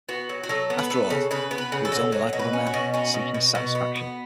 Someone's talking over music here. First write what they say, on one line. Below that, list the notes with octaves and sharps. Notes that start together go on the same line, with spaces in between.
After all, he was only like other men, seeking his satisfaction.
B3 F#4
F#3
F#4
F#3 A4
B3
B4
B3 A4
C#3
C#3 B4
B3
B4
C#3
A4
F#3
F#3
B2
B4
C#4
F#4
B2
C#4 F#4
B2
B2
B2
B3
B3